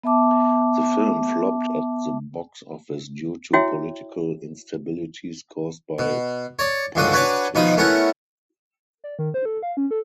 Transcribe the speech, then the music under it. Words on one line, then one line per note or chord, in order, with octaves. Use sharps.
The film flopped at the box office due to political instabilities caused by partition.
B3 E5 A5 D6
E4 F#4 C#5 E5 G5
B2
C#5 D5
C#2 G2 D3 F3 F#4 D#6
D4 F#4 B4 C#5 G#5 D6
B2 D#3 F3 D#4 B5 D#6
A3 B3 C#4 E4 A#4 F#5
D5
D#3
C5
A4
F5
C#4
A4